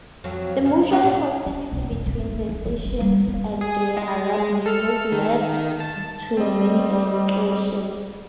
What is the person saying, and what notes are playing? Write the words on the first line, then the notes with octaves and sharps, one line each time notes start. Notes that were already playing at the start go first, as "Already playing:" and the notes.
The mutual hostility between the Circassians and their Arab neighbors led to many clashes.
F2 F#3
C#3
B3 C#4 F4
A#2 D4
D3
B1
F2
G#1
D#4
D2
E3
G1
G3
B3
G#4
G#3
A4 F6
D#3
A5
G3 C4 D#5